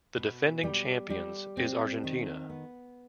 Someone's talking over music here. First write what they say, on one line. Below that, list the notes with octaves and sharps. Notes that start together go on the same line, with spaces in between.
The defending champions is Argentina.
B2
G3
G3
C4
D#3
B3